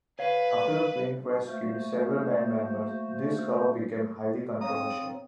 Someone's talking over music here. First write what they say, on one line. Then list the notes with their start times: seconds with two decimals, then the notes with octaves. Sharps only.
After the plane crash killed several band members, this cover became highly controversial.
0.19 B4 C#5 F5
1.48 A3 A#3 F#4 C5
4.61 C4 C#5 F5 A#5 D#6